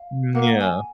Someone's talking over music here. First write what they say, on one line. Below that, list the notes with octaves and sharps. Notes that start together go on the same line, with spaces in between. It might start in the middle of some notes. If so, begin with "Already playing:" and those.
Mm, yeah.
Already playing: F5
A#3 F#5
G#5